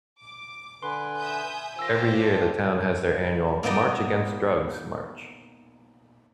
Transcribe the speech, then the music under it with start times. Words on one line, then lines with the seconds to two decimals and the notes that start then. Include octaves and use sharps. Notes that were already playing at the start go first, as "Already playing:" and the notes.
Every year the town has their annual "March Against Drugs" march.
0.20 D6
0.83 D3 B4 G#5 C6
1.19 E5 D#6 G6
1.79 D#3 F4 G4 C5 E6 A#6
2.22 A5
3.63 A#3 B3 D#4 D5 D#5